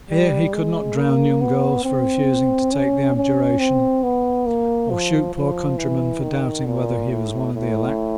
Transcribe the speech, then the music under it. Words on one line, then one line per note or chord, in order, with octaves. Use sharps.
Here he could not drown young girls for refusing to take the abjuration, or shoot poor countrymen for doubting whether he was one of the elect.
G3
G#3
A#3
B3
C4
C#4
C#4
C4
B3
A#3
F3
F3
E3
D#3
A#2
A2
A2